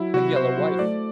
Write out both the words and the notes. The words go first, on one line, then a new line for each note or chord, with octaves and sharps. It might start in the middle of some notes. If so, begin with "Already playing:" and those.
'A yellow wife!
Already playing: F#3 E4
C3 F#4
F#3 C5
F#3
A3 D5